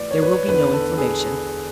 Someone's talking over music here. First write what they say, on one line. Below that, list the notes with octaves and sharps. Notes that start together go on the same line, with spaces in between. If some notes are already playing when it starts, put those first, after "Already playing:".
There will be no inflammation.
Already playing: A2 E3 D5
C#5
B4
C#5
E2 D3 B4
A4
G#4